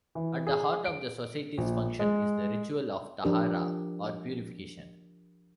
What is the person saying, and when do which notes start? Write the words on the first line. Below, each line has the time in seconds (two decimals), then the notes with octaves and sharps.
At the heart of the society's function is the ritual of "tahara", or purification.
0.15 E3
0.47 G#4
0.85 D7
1.58 A#1
1.99 G#3
3.24 F3 D4 G4 A#4